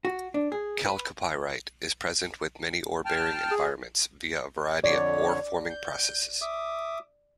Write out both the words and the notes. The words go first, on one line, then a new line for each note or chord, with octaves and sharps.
Chalcopyrite is present with many ore-bearing environments via a variety of ore forming processes.
F#4
D4
G#4
B4
G5 A5 F6
G#4
F2 D3 C#5 D5
G6
E5 D6 D#6